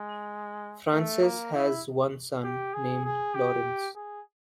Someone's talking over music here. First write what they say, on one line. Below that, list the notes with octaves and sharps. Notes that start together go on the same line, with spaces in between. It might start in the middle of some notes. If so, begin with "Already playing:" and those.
Frances has one son, named Lawrence.
Already playing: G#3
A3
A#3
E4
G4
G#4
G#4
G4
G#4